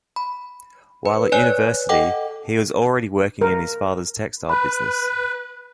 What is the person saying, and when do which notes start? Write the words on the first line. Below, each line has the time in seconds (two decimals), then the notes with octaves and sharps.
While at university, he was already working in his father's textile business.
0.16 B5
1.06 B4
1.32 B4 C#5 D5 G#5 F#6
1.89 A4 D#5 F#5 G5 D6
3.41 A#4
4.49 B4 B5